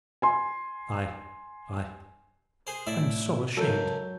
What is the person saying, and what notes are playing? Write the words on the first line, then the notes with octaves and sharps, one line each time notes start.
I--I--I'm SO ashamed!
G#5 C6
G#4 C5
A2 E4 D5 E5
C#2 F#2 F#3 A4 G6